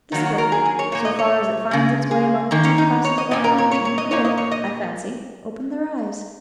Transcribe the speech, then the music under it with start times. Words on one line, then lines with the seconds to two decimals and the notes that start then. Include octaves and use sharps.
This book, so far as it finds its way among the two classes above mentioned, will, I fancy, open their eyes.
0.12 D#3 F#3 A#3 D#4
0.26 F#4
0.38 A#4
0.52 G#4
0.66 G#4
0.79 C#5
0.92 A#2 C#5
0.95 A#3
1.05 D#5
1.19 C#5
1.71 C#3 G#3
2.11 G#4
2.51 D#3 A#3
2.65 C#4
2.78 D#4
3.05 C#5
3.18 D#5
3.31 A#2 A#3 D#5
3.44 A#4
3.58 C#5
3.71 C#5
3.85 C#5
3.98 D#5
4.11 A#2 A#3 C#5
4.25 D#5
4.37 C#5
4.52 D#5